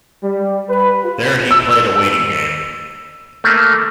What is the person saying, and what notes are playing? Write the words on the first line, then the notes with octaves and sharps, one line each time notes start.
There he played a waiting game.
G3
B4
F4
E6
A3 A#3